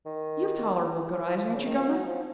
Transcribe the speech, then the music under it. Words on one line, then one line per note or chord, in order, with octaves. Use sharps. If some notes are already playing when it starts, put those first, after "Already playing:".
'You've tolerable good eyes, ain't you, Governor?
D#3
F3
C#3
D#3
F3
F#3
F3